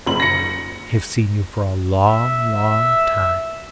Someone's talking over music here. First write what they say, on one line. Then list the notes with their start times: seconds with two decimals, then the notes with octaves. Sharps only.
I have seen you for a long, long time.
0.06 F#1 F#7
0.20 A#6 C#7
2.08 E5
2.56 E5